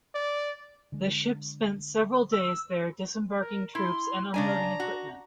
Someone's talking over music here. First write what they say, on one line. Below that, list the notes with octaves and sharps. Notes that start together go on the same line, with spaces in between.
The ship spent several days there disembarking troops and unloading equipment.
D5
D3 G#3
E6
A#4
E4 C6
C#3 D4 G#5 A#5
F#4